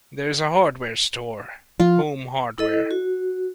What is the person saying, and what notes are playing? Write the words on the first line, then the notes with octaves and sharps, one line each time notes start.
There is a hardware store: Home Hardware.
F3 F4
E4 A4 D#5
F#4